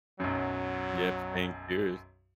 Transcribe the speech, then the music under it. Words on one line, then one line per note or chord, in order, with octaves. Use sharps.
yep, staying curious.
B1 F#2 F#3